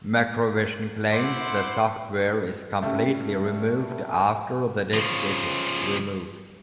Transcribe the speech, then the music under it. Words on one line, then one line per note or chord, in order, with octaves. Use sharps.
Macrovision claims the software is completely removed after the disc is removed.
E4 C5 F#5 C6 D6
C#3 G3 A3
C#3 F3